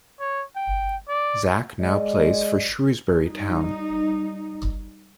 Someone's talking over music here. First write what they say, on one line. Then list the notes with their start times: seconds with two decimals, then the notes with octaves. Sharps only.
Zak now plays for Shrewsbury Town.
0.20 C#5
0.56 G5
1.09 D5
1.81 G#3 D5 D#5
3.24 G3 D#4